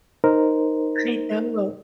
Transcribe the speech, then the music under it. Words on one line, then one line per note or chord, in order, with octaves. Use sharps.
I know.
D#4 A#4 C5